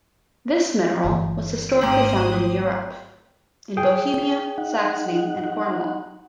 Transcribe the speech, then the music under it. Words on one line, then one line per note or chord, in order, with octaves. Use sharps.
This mineral was historically found in Europe in Bohemia, Saxony, and Cornwall.
G1 E3
G#1 A3 C4 G4 C5 A#5 D#6 F#7
G#4 G5
D#4 F#5